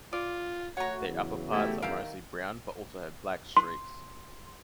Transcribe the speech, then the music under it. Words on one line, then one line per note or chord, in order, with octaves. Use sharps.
Their upper parts are mostly brown, but also have black streaks.
F4 D5
A3 F#4 C#5 F#5 A#5
E2 C#3 E3 F#3
A3 E4 G4
D#3 G4 E5 F5 D7
C6